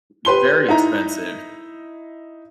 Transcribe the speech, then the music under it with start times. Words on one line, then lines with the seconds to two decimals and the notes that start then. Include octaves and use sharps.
very expensive,
0.25 G4 B4 C6 G7
0.69 D#4 E4 A#5